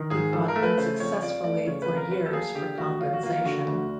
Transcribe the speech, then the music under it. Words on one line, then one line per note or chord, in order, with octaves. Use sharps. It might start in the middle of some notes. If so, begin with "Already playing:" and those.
He fought unsuccessfully for years for compensation.
Already playing: D#3
G#2 G#4
F3 A4
A#4
A3
B4
C#3 C5
F2 C#5
F3 D5
A3 D5
C#3 C#5
B4
F2
A#4
F#3 B4
A4
A#3 G#4
D3 G4
D2 F#4
F#3 F4
F#4
A#3 F4
D3 F#4
D2